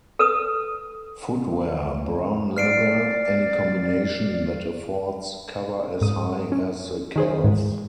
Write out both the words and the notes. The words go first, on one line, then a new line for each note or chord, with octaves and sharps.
Footwear - Brown leather; any combination that affords cover as high as the calves.
A4 B4 D#6
D5 F6 C7 D7
G#2 D#6
C#4
D#3 G#4 C5
G#2 E3